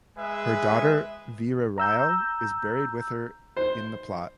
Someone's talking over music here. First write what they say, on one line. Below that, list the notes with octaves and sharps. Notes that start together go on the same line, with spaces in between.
Her daughter Vira Rial is buried with her in the plot.
G#3 G#4 B4 E5
A#5 E6 G6
C5